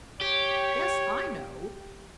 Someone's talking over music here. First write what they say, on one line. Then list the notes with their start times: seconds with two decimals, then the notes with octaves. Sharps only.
"Guess I know!"
0.21 G4 C#5